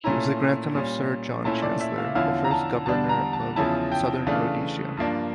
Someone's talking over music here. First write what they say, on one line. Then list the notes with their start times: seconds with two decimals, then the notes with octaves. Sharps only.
He was the grandson of Sir John Chancellor, the first Governor of Southern Rhodesia.
0.04 A#2 A3 C#4 E4 A#5
0.75 A#2 G3 C#4
1.45 A#2 A3 C#4 E4 A5
1.62 D5
1.80 E5
1.98 F5
2.15 E2 D3 F3 C#4 E4 F5
2.44 A#5
2.51 A5
2.86 E2 D3 G3 D4 A5
3.09 A#5
3.33 A5
3.56 E2 C#3 F3 C#4 E4 A5
3.92 G5
4.27 C#3 E3 A3 D4 F5
4.97 G2 F3 A#3 D4